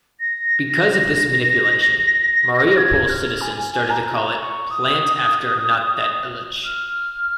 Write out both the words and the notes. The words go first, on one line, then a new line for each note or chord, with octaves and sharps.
Because of this manipulation, Mariupol citizens started to call it "Plant after not-that-Illich".
A#6
G#6
G#6
F6
G#5
G#5
A#5
A#5
C#6
D#6
F6